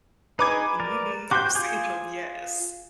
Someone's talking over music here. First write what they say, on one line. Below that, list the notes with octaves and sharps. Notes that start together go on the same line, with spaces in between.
Mhm, I've seen them, yes.
D#4 G#4 B4 D6 G#6
A#4 D5
F#4 G4 C6 D6 G6
F4 G#4